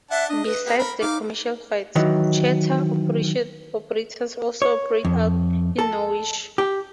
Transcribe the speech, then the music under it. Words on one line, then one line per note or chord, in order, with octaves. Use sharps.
Besides the commercial flights, charter operators also operate out of Norwich.
D4 E5 F#5 A5
D4 D#5
B4
A#3 B3 G4
A#4 B5
D#4 F5 D6
D#3 E3 F#3
C#5
F2
A4
G4